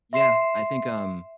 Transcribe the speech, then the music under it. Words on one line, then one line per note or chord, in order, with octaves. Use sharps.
Yeah, I think, um,
E5 C6 C7 E7